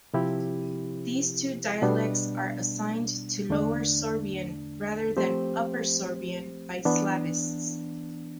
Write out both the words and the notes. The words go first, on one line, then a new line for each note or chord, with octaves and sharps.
These two dialects are assigned to Lower Sorbian rather than Upper Sorbian by Slavists.
C3 F3 C4 E4 G4
B2 G3 B3 D4
E2 D3 A3 D4
F3 A3 C4 G4 C5
E3 B3 D4